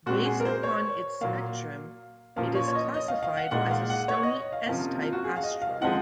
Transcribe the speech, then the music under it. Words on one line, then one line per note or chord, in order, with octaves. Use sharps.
Based upon its spectrum, it is classified as a stony S-type asteroid.
A#2 G#3 C4 F#4
G#4
A#4
C5
C#5
A#2 F#3 A#3 F5
A#2 F3 A#3 C#4 F5
C#5
C#5
D#5
D#5
F5
F5
F#5
A#2 G#3 D#4 F#5
F5
F#5
C#5
D#5
F5
C3 F3 A#3 C#4 F5
F4
F#4
G#4
F5
D#5
F5
F3 G#3 C4 D#4 F#5